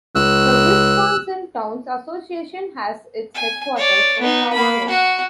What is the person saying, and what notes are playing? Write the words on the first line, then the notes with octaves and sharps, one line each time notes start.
The Wisconsin Towns Association has its headquarters in Shawano.
C#2 E6 F#6
G#5
C#5 D5
B3 D#4
A#3 B5
F#4 F#5